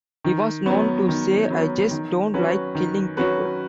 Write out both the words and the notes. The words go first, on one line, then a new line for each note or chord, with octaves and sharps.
He was known to say I just don't like killing people.
D#3
F#3 B3
D#3
F#3 B3
D#3
F#3 C#4 F#4 B4
D#3
F#3 C#4 F#4 B4